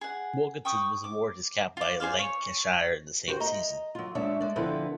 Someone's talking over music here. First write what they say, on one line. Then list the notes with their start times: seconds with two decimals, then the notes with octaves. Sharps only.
Wilkinson was awarded his cap by Lancashire in the same season.
0.01 G#4 F#5
0.65 G5 C#6 D#6
1.04 D6
1.77 F4 D6
2.00 G#4 C5 D5 F5
2.19 C#5
3.28 F#4 G4 B4 C5
3.40 D#5 A#5
3.95 F#3 F4
4.15 G#3 D4 C#5 E5
4.40 G#3 D5
4.56 D3 F3 B3 C4 E4 B4